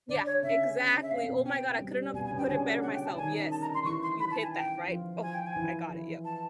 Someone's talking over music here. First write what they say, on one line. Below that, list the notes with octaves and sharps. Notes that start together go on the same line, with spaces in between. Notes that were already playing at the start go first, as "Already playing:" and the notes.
Yeah, exactly. Oh my god, I couldn't have put it better myself, yes, you you hit that right Oh, I got it, yep.
D3 D4 D5
C#5
C#3 C#4 E5
E5
B3 F5
C4
B2 B3
G5
G3
B2 B3 G#5
G#5
C#3 C#4
G5
D3 D4 G#5
F#5
F#5
G5
A5
D#3 D#4 G#5
A5
A#5
C6
E3 E4 C#6
C6
B5
A5
G#5
G5
F3 F4
G#5
G5
G#5
E3 E4
E3 E4
A5